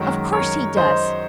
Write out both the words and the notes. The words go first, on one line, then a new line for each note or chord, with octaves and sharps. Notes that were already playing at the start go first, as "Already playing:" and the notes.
Of course he does.
Already playing: F#2 D#3 G#3 C#4 F#4 A#4
A#4 C#5
C5 D#5